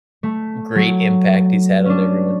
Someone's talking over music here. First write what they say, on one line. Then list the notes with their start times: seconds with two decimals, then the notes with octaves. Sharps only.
great impact he's had on everyone.
0.23 A3
0.75 F#3
1.86 C#4 D4